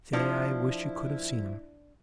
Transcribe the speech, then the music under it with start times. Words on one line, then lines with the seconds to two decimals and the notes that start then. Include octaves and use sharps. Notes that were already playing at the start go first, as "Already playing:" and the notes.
Say, I wish you could have seen him.
0.13 F3 D4 E4